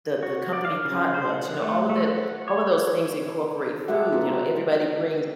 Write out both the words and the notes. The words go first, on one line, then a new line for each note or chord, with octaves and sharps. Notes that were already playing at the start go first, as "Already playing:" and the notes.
the the company potlucks, you know, all of that all of those things incorporate food, you know, everybody brings
F#4
D5
F5
C#3
C5
F#5
A3
A3
F#5
C#5
G#3 F#4 G4 A4 E5 F#5
B3 D#4 F4 F#4